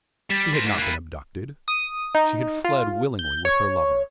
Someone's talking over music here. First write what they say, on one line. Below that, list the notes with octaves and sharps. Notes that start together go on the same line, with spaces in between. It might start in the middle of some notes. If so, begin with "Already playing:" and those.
She had not been abducted--she had fled willingly with her lover.
G3 A6 B6 E7
A#4 C5
G#2
A#3 E4 F#6 D#7
D#6
D#4
F4
G6
C#5